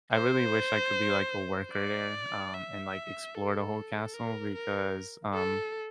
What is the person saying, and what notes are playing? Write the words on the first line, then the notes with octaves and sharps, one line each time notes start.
I really wish I could be, like, a worker there, um, and, like, explore the whole castle because, um
C5
D5
E5
A4
A#4
A#4
A4